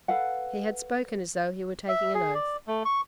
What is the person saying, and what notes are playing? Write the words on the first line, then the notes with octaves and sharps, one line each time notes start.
He had spoken as though he were taking an oath.
A4 B4 F5 F#5
E5
G#4
D5
A3
C#6